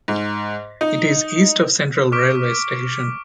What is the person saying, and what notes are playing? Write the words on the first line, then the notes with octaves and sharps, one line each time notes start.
It is east of Central railway station.
G#2
D#4
C#6 D6 F6 B6 D7